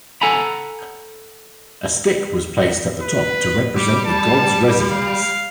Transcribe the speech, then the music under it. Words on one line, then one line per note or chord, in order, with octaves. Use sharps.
A stick was placed at the top to represent the god's residence.
A4 F#5 G#5 A#5 B5
B4
G3 D6
A5
F5